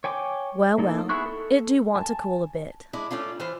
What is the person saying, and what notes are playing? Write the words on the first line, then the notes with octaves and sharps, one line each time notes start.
'Well, well; it do want to cool a bit.
C#5 G5 G#5 D6
A#3 D#4 A4
B3 E4 G#4 C#6 F#6
A4
G#5 A5
G#3 D4 E4
A3 C#4 D4 F4
E3 F4 C5